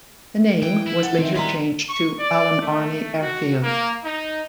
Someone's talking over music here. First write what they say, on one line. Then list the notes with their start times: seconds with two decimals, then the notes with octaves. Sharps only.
The name was later changed to Allen Army Airfield.
0.63 E3 G5
0.87 E4
1.03 A4 F#5
1.18 D#3 C4 E5
1.36 D#3 G3 B3 E4 A#5 C6
1.90 C#6
2.19 D5
2.61 A3
3.22 F#4
3.63 A#3
4.05 D#4